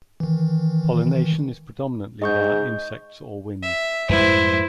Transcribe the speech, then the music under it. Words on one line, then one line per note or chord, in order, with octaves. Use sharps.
Pollination is predominately via insects or wind.
D#3 E3
G#2 D#5 C#6 G6
E5
F2 G#2 G3 E4 B4 C5